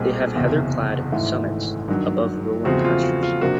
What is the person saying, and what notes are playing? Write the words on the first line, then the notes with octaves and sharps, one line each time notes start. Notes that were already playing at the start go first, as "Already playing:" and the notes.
They have heather-clad summits above rolling pastures.
Already playing: B1 A#2 G3 C4 G#4
F#1 E2 C3
G#1 G#2 E3 A3
G2 D#3 F#3
E2 C#3 F3 A3 C4 F#4
F4
F#4
F4
C3 F3 A#3 D4 F#4